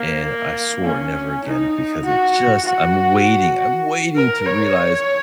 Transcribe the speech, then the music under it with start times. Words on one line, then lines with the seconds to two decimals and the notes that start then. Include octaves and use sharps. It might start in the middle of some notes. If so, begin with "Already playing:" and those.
and I swore never again, because it just I'm waiting, I'm waiting to realize,
Already playing: A#3
0.85 C#4
1.45 D#4
2.05 F#4
2.65 F#4
4.16 A#4
4.46 C#5